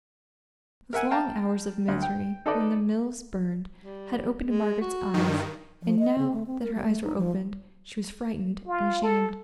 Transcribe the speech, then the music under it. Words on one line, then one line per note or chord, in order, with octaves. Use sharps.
Those long hours of misery when the mills burned had opened Margaret's eyes; and now that her eyes were opened, she was frightened and ashamed.
A#4 E5 F#5 G#5
F5 G5 A5 A#5
D2
G5
D#4 A4 B4 D5 D#5
G3
G#3
F#4
G2 D#3
F3
D#5
C#3
A3
C4
A#4
G3
A3
D#4
F3
F4
A4